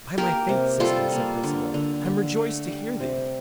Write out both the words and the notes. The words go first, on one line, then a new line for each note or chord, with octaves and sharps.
'By my faith, sister,' said Perceval, 'I am rejoiced to hear thee.
A#3 G4 A#4
C3
G3 F4 A4
A#3
D3
D3
D3
A3
G3
C3